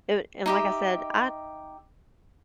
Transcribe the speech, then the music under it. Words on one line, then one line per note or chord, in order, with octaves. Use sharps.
It w and like I said, I
D#4 G4 E5